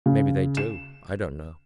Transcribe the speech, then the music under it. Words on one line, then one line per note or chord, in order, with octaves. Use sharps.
Mebby they do; I don't know.
C#3
E7